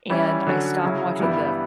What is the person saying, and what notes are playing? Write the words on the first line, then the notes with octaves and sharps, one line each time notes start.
and, I stopped watching the f
E3 G3 C#4 E4
D3 F#3 C#4 F#4
C#3 F#3 C#4 E4
G2 E3 G3 B3 E4